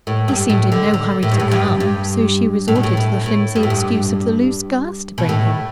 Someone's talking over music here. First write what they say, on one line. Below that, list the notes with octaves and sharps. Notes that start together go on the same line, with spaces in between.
He seemed in no hurry to come, so she resorted to the flimsy excuse of the loose girth to bring him.
A2
G2
A2
D3
D3
A2
G2
A2
G2
G2
A2
B2
A2
A2
A2
G2
A2
G2
B2
A2